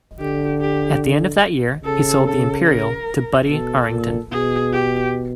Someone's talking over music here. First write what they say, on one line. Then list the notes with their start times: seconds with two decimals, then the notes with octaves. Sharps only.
At the end of that year he sold the Imperial to Buddy Arrington.
0.19 D3 G4
0.61 G4
1.84 C#3 A4
2.26 A4
2.66 A#4
3.48 B2 A4
3.90 A#2
4.31 B2 G#4
4.73 G4